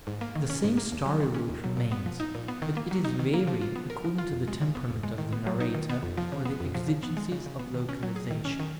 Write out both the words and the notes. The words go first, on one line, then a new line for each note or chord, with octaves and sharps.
The same story-root remains, but it is varied according to the temperament of the narrator or the exigencies of localization.
G#2
A#3
D#3
C#4
G#2
A#3
D#2
F#3
D#3
C#4
D#2
F#3
A#2
B3
F3
D#4
A#2
B3
D#3
A#3
F#3
D#4
D#3
A#3
F3
F4
B3
A#4
F3
F4
F2
G#3
C#3
B3
F2
G#3
D#3
B3
F#3
D#4
D#3
B3
F2
F3
C#3
B3
F2
F3
C#3
B3
G#3
C#3
C#3
B3
D#3
C#4
F#3
G#4
D#3
C#4
D#3